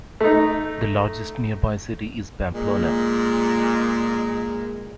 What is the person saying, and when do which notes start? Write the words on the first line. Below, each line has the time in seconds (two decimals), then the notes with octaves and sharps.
The largest nearby city is Pamplona.
0.21 A3 D#4
2.55 A#2 G#3